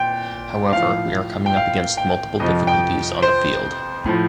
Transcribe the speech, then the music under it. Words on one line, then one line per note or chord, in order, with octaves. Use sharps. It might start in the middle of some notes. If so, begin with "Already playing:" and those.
However, we are coming up against multiple difficulties on the field.
Already playing: A#2 G5
A2 F3 F5
G5
F5
G5
F2 C3 F3 D#5
G5
C5
A2 F3